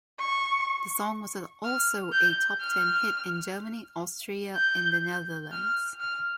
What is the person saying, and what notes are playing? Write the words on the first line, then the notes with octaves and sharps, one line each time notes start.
The song was also a top ten hit in Germany, Austria and the Netherlands.
C#6
F6
G6
F6
G6
F6
F6